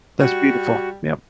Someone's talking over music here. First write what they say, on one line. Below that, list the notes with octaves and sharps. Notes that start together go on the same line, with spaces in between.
That's beautiful, yep.
G3 F#4